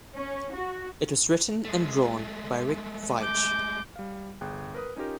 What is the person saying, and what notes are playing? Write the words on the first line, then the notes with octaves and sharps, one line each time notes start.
It was written and drawn by Rick Veitch.
C#4
F#4
G#3 A3
D6 G6
G3 F5
G1 G#4 G5 F#6
A#4 B4 D#6
C#4 D#4 F4 G4 A#4